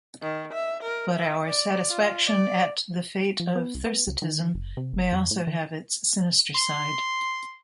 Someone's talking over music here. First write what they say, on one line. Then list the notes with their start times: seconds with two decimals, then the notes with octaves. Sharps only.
But our satisfaction at the fate of Thersitism may also have its sinister side.
0.22 D#3
0.53 E5
0.83 A#4
1.16 E5
1.46 D5
1.89 F4
2.26 D5
3.40 F3
3.55 B3
3.74 C2
3.86 B3
4.07 C#2
4.22 D#3
4.54 F#1
4.77 C3
4.93 G1
5.12 F2
5.31 A2
5.47 D#3
6.55 C6